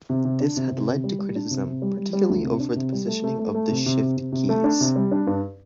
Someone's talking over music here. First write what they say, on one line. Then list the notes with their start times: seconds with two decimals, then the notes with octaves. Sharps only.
This has led to criticism, particularly over the positioning of the "Shift" keys.
0.09 C3
0.25 C3
0.40 D4
0.57 C3
0.72 C3
0.88 C3
1.04 G3
1.19 G3
1.35 D4
1.51 C3
1.66 C3
1.82 G3
1.97 G3
2.13 G3
2.29 D2
2.44 C3
2.60 D4
2.76 C3
2.92 G3
3.07 A3
3.24 A3
3.39 A3
3.54 A3
3.70 C3
3.86 C3
4.01 C3
4.17 C3
4.32 C3
4.49 A3
4.64 D4
4.81 C3
4.96 G3
5.11 D4
5.27 G2